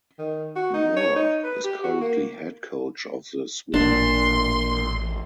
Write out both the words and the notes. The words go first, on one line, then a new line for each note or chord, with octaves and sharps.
Moore is currently head coach of the Swarm.
D#3
F#4
D#4
C#5
D#4
B4
G4
F#4
A#3
A1 A#2 D4 C6